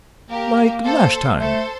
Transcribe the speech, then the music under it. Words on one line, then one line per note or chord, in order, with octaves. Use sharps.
"Like last time?"
A#3 G4 A#4
A4 C5
A3 A4 C5